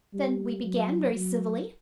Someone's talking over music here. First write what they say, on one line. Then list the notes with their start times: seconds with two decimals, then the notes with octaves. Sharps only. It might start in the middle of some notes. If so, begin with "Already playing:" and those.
Then we began--very civilly.
0.14 G3
0.64 F#3
1.15 F#3